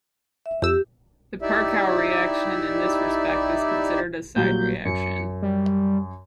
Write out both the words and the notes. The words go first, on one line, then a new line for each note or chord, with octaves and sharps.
The Perkow reaction, in this respect is considered a side-reaction.
E5
F2 G4 E6
D#4 E4 G4 D5 E5
A#2 F#3 G3 G6
F#2 C#7
G3